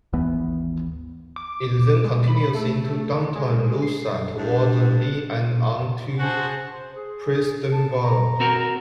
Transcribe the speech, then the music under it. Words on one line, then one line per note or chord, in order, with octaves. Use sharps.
It then continues into downtown Louisa toward Inez and on to Prestonsburg.
G#1 D#2 E3 B3
D6
G#3
B5
A3
D3
G#3
C7
D2 G2 D4
F#4 G#4 C5 A5
C5
G#4
A5
A#5
C4 F#4 A#4